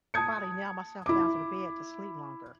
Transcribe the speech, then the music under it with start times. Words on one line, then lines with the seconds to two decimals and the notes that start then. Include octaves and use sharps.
probably nail myself down to the bed to sleep longer.
0.14 A5 D#6 G#6 C#7
1.06 E4 D6